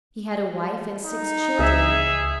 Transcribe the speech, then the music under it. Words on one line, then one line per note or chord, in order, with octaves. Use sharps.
He had a wife and six children.
D#4
C#2 G#4 E5